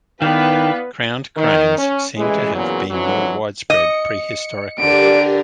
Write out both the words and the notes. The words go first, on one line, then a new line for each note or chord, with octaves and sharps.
Crowned cranes seem to have been more widespread prehistorically.
D#3 B3 E4 B4 D5 F5 G5
D#3
C#4
A1 E3 G#3
E2 A#2 C#3 F#3 B3
F2 D3 E3 F#3
D#5 C#7
D3 G4 A#4 D5 D7